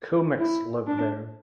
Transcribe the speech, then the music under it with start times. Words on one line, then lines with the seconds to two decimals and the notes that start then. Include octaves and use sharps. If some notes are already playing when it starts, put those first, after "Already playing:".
Kumyks live there.
0.39 E4
0.87 D4